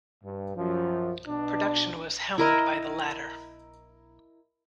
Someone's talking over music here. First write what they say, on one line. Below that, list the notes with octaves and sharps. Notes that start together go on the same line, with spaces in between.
Production was helmed by the latter.
G2
F#2 F3
B2 D4
E4 A#4 D#5